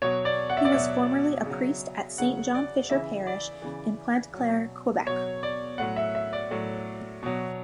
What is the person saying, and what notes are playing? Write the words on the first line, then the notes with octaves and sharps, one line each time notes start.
He was formerly a priest at Saint John Fisher parish in Pointe-Claire, Quebec.
B2 F#3 C#5
D5
F#5
E5
D5
B2 F#3 E5
C#3 F#3
C#3 F#3 F#5
D5
C#3 E3 E5
D5
C#3 E3
B2 F#3
B2 F#3 C#5
D5
A2 F#3 F#5
E5
E5
D5
A2 F#3
B2 F#3